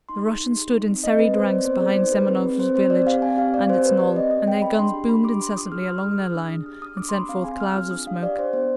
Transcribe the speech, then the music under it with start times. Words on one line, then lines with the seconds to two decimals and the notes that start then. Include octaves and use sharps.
The Russians stood in serried ranks behind Semenovsk village and its knoll, and their guns boomed incessantly along their line and sent forth clouds of smoke.
0.09 D#4 C6
0.25 G#4
0.40 D#4
0.56 G4
0.72 D#4
0.87 C4
1.04 C4 D#5
1.19 C4 B4
1.34 C4 C5
1.50 C4 D5
1.65 B3 C5
1.81 G#4 D5
1.97 D#4 C5
2.12 G#4 B4
2.28 C4 B4
2.44 C4
2.59 C4 C5
2.74 C4 C5
2.90 C4 D5
3.06 G4 F5
3.22 C4 G#5
3.37 G4 F5
3.54 C4 D5
3.70 G4 C5
3.84 C4 B4
4.00 G4 D5
4.16 C4 D#5
4.31 C4 D#5
4.48 G#4 G5
4.62 G#4 B5
4.78 D4 C6
4.94 G4
5.09 D4 B5
5.25 G4 D6
5.41 D4 C6
5.56 F4 D#6
5.72 G#4 F6
5.88 F4 D#6
6.03 G#4 F6
6.19 G#4 D#6
6.35 D4
6.51 G#4
6.66 G4 F6
6.81 D4 D#6
6.97 D4 D6
7.09 C6
7.14 G4 B5
7.29 C4 F5
7.44 G#4 G#5
7.60 C4 F6
7.75 F4
7.91 D4 D#6
8.07 G4 F5
8.23 G4 D5
8.39 D4 C5
8.53 B3 C5